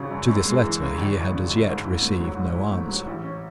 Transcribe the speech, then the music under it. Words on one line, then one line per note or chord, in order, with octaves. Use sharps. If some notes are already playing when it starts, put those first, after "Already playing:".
To this letter he had as yet received no answer.
Already playing: G#1 C#3 F#3
F#2
F#2
G#3
E3
C#3
G#1
E3
C#3
F#2
G#2
E4
A3
F#3
G#2
E4
A3
F#3
A1
C#4